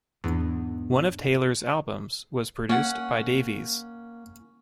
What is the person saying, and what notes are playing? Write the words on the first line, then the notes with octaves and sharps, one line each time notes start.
One of Taylor's albums was produced by Davies.
E2 G#2 B3 D4
A#3 C#4 F#5